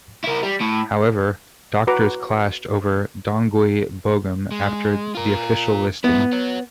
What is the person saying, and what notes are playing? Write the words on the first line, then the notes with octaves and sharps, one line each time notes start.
However, doctors clashed over "Dongui Bogam" after the official listing.
E4 A#4
G3
A2
F#4 B4 A#5 D6
G#3
F4 A#4
G#2 B3 E4
C#5 F#5